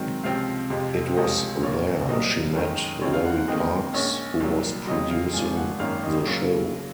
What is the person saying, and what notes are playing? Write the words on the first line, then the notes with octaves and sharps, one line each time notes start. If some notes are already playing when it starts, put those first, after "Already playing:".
It was there she met Larry Parks, who was producing the show.
Already playing: G#2 D#3 F#3 C4
C#2 C3 F3 C4 F5
F2 C3 F3 G#3
C#2 C3 F3 G#3 C#4 D#5
A#1 A#2 F3 A#3 C#5
C2 A#2 F#3 D#5
F#1 F#2 D#3 G#3 C#4
F#2 F3 G#3 C4 C#5
F5
F#5
F#5
D#2 D#3 G#3 C4 D#5
A#1 A#2 G#3 C#4 C#5
C2 A#2 F#3
F2 C#3 F#3 D#5
F5
G#1 G#2 F3 G#5
G#5
F#5
G#1 F#2 D#3 A#3 C#4 F5
D#5
C#3 F#3 A#3